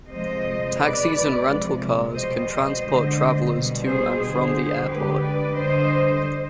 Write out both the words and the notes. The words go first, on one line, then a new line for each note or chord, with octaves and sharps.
Taxis and rental cars can transport travelers to and from the airport.
C3 F3 G#3 C5 D#5
B2 G#3 B4 D5
C3 F3 G#3
B2 G3 C5 D#5
C5 D#5
D3 G#3
B2 G3
G#4 C5
D3 G3 G#4 C5
D3 G#3 G4 B4
B4 D5
D3 G3 C5 D#5